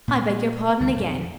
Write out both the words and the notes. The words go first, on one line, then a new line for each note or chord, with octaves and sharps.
I beg your pardon again.
A#2 B3
C#2 D#3 G#3
B1 F2